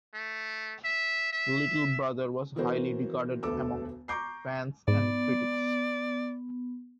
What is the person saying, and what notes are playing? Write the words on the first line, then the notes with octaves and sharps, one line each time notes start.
Little Brother was highly regarded among fans and critics.
A3
E5
E5
E3 B3 F#4 A#4 C5
E1 D2 B3 A4 D6 E6
A#5 C#6 D6 G6 C7
G#2 B3 D5